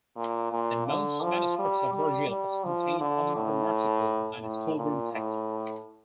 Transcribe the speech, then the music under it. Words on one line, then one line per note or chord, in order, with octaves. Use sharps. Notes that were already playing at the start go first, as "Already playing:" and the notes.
In most manuscripts of Virgil also contain other grammatical and schoolroom texts.
A#2
A#2
D3
F3
G3
G3
G3
F3
D3
A2
A2
A#2
A2